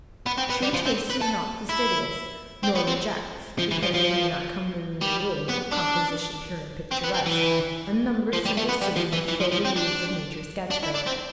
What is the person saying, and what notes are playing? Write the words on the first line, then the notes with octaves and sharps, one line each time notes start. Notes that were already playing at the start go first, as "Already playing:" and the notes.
True taste is not fastidious, nor rejects, Because they may not come within the rule Of composition pure and picturesque, Unnumbered simple scenes which fill the leaves Of Nature's sketch book.
B3
C4
B3
G3
F3
C4
B4
A4
E4
C4
B3
C4
F3
E3
F3
F3
G3
B3
D4
C4
B3
C4
E3
F3
G3
A3
B3
G3
F3
E3
E3
F3
F3
C4
D4
D4
E4
D4
C4